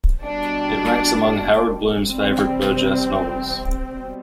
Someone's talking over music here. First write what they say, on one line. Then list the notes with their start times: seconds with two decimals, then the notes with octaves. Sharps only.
It ranks among Harold Bloom's favourite Burgess novels.
0.22 B2 G3 D4
2.05 C3 E3 G3 C4
3.90 B2 G3